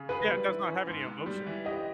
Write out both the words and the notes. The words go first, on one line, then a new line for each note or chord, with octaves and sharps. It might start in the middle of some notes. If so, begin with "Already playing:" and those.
Yeah, it does not have any emotion.
Already playing: C#3
G#4 B4
G3
E4
C#4
G#2
G#2
G3
E3
G4 D#5